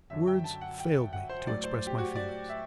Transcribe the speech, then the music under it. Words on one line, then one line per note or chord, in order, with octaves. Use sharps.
Words failed me to express my feelings.
F#2 D3 F#3 E5
G5
A5
F#5
G5
F#5
C5
A2 F#3 D5
C5
G4
F#4
D5
E5